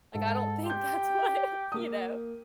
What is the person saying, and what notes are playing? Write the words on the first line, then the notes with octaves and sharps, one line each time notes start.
Like, I don't think that's what you know?
G#2 A4
G4 C6 G6
A#3 D#6